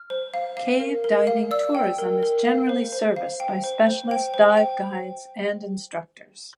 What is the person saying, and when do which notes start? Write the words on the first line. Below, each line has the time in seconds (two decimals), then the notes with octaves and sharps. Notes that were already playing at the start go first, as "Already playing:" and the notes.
Cave diving tourism is generally serviced by specialist dive guides and instructors.
Already playing: F6
0.10 C5
0.34 F5
0.57 F5
0.80 A#4
1.04 A#4
1.27 F5
1.51 D5 E6
1.75 G5
1.98 A#4
2.23 A#4
2.45 F5
2.69 C5
2.92 C5
3.16 F5
3.40 G5
3.64 C5
3.87 C5
4.11 G5
4.34 C5
4.57 G5